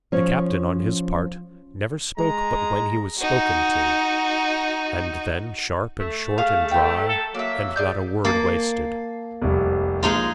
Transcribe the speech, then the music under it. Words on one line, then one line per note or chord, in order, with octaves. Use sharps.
The captain, on his part, never spoke but when he was spoken to, and then sharp and short and dry, and not a word wasted.
F3 C#4 C#5
G#3 A#5
D#4 F#4
A3
G#4 F5
A#4 G5
A4
F#3 A#3 E5
G#4 D5 G6
A#3 A5 A6 C7
F1 C2
A#1 G#3 D#4 F4